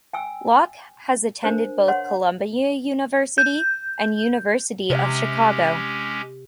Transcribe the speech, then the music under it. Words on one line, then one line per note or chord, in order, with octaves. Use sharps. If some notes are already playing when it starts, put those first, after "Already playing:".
Locke has attended both Columbia University and University of Chicago.
G5 G#5 E6
D4 A#4 C5
C#5 F#5 C6
G6
C3 G#3 C#4 G4